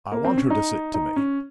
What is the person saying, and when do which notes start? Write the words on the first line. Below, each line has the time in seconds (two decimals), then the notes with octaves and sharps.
I want her to sit to me.
0.12 A#3
0.25 C4
0.37 C#4
0.50 D#4
0.94 D#4
1.16 C#4